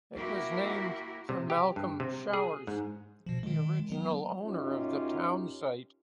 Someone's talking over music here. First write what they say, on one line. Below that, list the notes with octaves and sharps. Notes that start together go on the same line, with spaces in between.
It was named for Malcolm Showers, the original owner of the town site.
A#3 E4 F#4 G4 A#4
C3
G4
G2
C3
G#4
G#2
B2 F3
D#3 G#3
F#3 B3
F#2 C#4 D#4 F4 G4 C#5